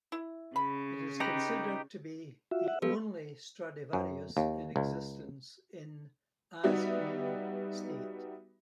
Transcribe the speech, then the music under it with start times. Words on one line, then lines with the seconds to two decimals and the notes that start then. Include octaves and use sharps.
It is considered to be the only Stradivarius in existence in "as new" state.
0.12 E4
0.56 C#3 B5
1.20 D#4 G4 B4 A#5
2.51 F4 F#4 E5
2.68 E5 F#5
2.82 F3 B3 G4 A4 B4
3.93 F#2
4.37 D#2
4.76 C#2
6.63 G3 B3 D#4 F#4 G4 E5